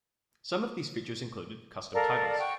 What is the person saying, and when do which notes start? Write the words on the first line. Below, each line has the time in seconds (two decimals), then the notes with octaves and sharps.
Some of these features included: Custom titles.
1.93 A4 A#4 D5 F5
2.39 F#5 G5 C#6